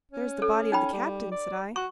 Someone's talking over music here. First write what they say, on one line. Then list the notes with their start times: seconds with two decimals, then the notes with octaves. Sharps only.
"There is the body of the captain," said I.
0.12 C#4
0.42 A4
0.72 D#4 G5 B5
0.93 G3
1.31 D5
1.76 F#4 C#6